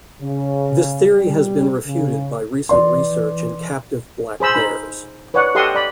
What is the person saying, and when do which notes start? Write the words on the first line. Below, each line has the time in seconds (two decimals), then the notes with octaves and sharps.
This theory has been refuted by recent research in captive black bears.
0.20 C#3
1.15 G3
1.85 C#3
2.69 E3 D5 C6
4.40 G#4 C5 B5 E6
4.55 D#4 B5
5.34 B4 C#5 D5 F#5
5.55 G4 A4 D#5 F#5 C6 D#6
5.75 D5 B5